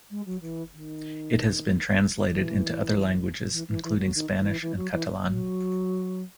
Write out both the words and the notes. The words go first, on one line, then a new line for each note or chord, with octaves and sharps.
It has been translated into other languages including Spanish and Catalan.
G#3
F#3
E3
D#3
E3
E3
E3
E3
F#3
D#3
D#3
E3
E3
F#3
E3
F#3